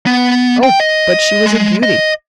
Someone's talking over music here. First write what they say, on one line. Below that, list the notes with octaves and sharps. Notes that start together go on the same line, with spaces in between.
Oh! but she was a beauty!
B3
G5
D#5
G#3
D#5